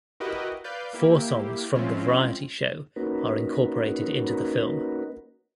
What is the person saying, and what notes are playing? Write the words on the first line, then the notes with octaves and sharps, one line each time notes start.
Four songs from the variety show are incorporated into the film.
E4 F#4 G4 A#4 B4 D#5
B4 D5 F5 G6
A#3 E4 G4
F3 G#3 C4 C#4 E4 F4
A#3 C#4 D#4 F#4 A#4 B4